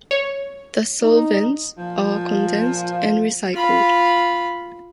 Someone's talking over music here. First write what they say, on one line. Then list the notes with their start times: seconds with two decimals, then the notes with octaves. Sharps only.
The solvents are condensed and recycled.
0.11 C#5
1.02 D#4
1.78 A#2 F3
3.53 F4 B5